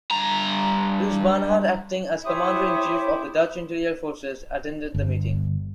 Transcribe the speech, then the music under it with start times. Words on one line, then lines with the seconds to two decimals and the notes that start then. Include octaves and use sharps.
Prince Bernhard, acting as commander-in-chief of the Dutch Interior Forces, attended the meeting.
0.11 G2 A#5
2.26 E4 G4 C5 C#5 E5 D#6
4.95 G1